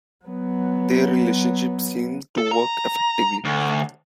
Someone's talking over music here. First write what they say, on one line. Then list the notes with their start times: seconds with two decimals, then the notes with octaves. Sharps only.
Their relationship seemed to work effectively.
0.25 F#3 B3
2.38 A4
2.51 A#5
3.45 D2